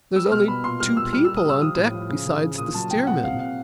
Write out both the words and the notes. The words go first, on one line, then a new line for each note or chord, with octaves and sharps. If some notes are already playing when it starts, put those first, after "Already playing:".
There's only two people on deck besides the steersman.
G3 E6
B2 F6
B2 B5
A#2 C6
G3 F6
A#2 E6
G3 F6
G3 E6
D#6
G3 E6
F3 D#6
A2
F3
C#3
C#3
C#3
A#2 D#6
F#3 A5
A#2 G5
C3 F#5
C3 F5
C3 F5